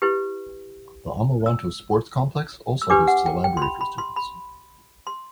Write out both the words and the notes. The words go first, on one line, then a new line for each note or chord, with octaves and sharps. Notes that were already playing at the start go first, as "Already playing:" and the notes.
The Amoranto Sports Complex also hosts a library for students.
E4 G4 B4
E6
E6
D4 G4 B4 D6
F#5
G5
G5
C6
B5
B5
C6
B5
C6